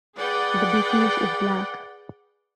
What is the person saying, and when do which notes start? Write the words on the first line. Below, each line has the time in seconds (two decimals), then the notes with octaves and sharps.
The "Bekishe" is black.
0.17 G#4 B4 D5 F#5 G5